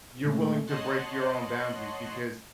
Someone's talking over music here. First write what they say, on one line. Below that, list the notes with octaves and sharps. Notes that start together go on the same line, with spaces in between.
you're willing to break your own boundaries because
A#2 G#3 A3
C#5 D#5 F#5 A5 C6 F#6